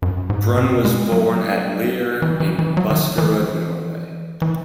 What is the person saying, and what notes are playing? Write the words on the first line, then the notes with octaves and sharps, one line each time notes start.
Brun was born at Lier in Buskerud, Norway.
F#2
G#2
B2
G#3
F#3
E3
E3
E3
F#3
D#3
E3
E3